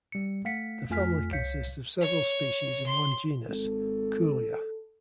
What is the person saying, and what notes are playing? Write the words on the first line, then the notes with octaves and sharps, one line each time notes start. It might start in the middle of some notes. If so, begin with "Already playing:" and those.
The family consists of several species in one genus, Kuhlia.
G3 C#7
A3 F5 F#5 B6 C#7
F2 A3 F4 G#5 F6 B6
C2 C#5 F5 G6 B6 C#7
C#5
C6
G#1 A4